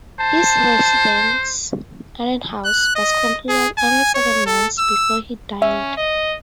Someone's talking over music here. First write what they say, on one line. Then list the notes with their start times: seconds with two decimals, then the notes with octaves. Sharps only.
His residence, Arden House, was completed only seven months before he died.
0.20 C5 A5
2.65 F#6
2.96 D#5
3.49 G#4
3.78 G#5
4.15 C#5
4.46 A4
4.79 E6
5.62 C#4 E5
5.97 D#5